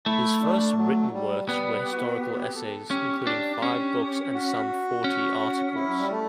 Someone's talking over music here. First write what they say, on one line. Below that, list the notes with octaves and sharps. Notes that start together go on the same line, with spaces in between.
His first written works were historical essays, including five books and some forty articles.
A3 E4
D4
F#3
G3
G3 B3
G4
F#4
E4
F#4
G4
F#4
G4
A4
C#4 G4
D4
C#4
F#4
C#4
E4
F#3
G3
A3